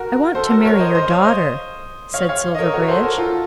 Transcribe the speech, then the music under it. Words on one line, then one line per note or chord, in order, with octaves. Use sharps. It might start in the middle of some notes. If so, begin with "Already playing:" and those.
"I want to marry your daughter," said Silverbridge.
Already playing: F#4 A#4
A4 C5
A4
F#4 A#4
A#4 C#5
C5 D#5
C5 D#5
C#5 F5
C5 D#5
C#5 F5
C#5 F5
D#5
A#4 C#5
F#4 A#4
C#5
A4 C5
F#4 A#4
F4 A4